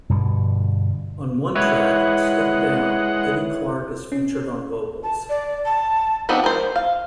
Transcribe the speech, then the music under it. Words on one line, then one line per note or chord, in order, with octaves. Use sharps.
On one track, "Step Down," Eddie Clarke is featured on vocals.
G2 B2 D3
G#3 E4 B4 C#5 F#5
C#4
A5
D5
A5
F3 B3 C4 D4 D#4
A#4 C5
F5